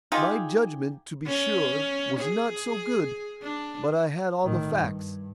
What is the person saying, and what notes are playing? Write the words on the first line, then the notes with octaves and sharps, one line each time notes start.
My judgement, to be sure, was not so good; but I had all the facts.
D#4 F4 G4 G#4
C#4
G#4
D4
A2 D#3
G2